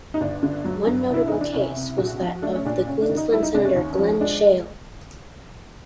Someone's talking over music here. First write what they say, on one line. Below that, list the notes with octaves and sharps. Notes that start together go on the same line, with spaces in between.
One notable case was that of the Queensland Senator Glen Sheil.
D#4
G1 D4
D3
F#3
G2
C2 E4
E3 D#4
D4
C2 C#4
C3
A#1 F#4
F3
A3 D4
C#4
A#2 D4
C#2 C#4
D4
D#3
D#4
G3 E4
D#4
C3 D4
C#4
D#2
F3
G#3 D4